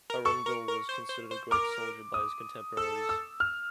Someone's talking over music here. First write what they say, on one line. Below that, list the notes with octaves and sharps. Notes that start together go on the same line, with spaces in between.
Arundel was considered a great soldier by his contemporaries.
A#4
A4 C#6
A#4
A#4
C5
C5
C5
A#4 D6
D#6
A4 E6
E6
F6